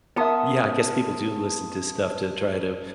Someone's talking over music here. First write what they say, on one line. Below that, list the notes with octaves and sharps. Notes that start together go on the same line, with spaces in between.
Yeah, I guess people do listen to stuff to try to,
B3 A#4 E5 A5 C6 D#6